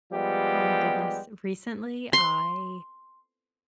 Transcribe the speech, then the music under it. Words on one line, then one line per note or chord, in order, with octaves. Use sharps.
Oh my goodness, recently, I
F3 G3 G#3 B3 G4
C6